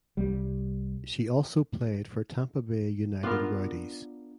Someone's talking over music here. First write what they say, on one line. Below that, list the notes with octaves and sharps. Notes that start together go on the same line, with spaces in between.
She also played for Tampa Bay United Rowdies.
C2 G3
B3 D4 F4 A#4